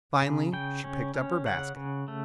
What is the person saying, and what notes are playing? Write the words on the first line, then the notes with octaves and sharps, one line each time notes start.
Finally she picked up her basket.
C#3
C#3 G5
C#4
C#4
C#3 F#5
C#3
A3